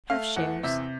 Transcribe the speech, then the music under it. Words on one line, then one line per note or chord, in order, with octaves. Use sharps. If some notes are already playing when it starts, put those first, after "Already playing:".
"Half shares."
A3 F5
E2 F#5
C3 E5